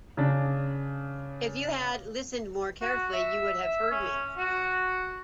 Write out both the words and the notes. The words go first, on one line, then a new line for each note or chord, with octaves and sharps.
If you had listened more carefully, you would have heard me.
C#3 D4
F#4
E5
E5
C#4
F#4